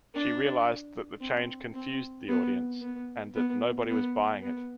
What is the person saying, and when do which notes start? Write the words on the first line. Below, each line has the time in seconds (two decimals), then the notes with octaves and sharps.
She realized that the change confused the audience, and that "nobody was buying it".
0.15 D4
1.21 C4
1.74 C4
2.28 B3
2.82 B3
3.35 B3
3.89 B3
4.42 B3